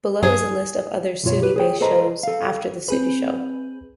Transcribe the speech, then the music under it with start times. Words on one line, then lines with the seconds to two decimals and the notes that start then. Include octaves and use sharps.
Below is a list of other Sooty-based shows, after The Sooty Show.
0.23 G2 F#3 G#4
1.23 B1 F#2 F4 C#5
1.42 G4 B4
1.56 G#4 C#5 G5
1.81 A4 B4 C5 D#5 A#5
2.23 A4 F5
2.88 C4 G#4 B4